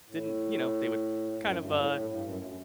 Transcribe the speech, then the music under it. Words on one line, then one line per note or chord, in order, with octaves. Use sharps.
didn't, you know, they would kind of, uh,
A2
F#2
G2
A2
A2
G2
F#2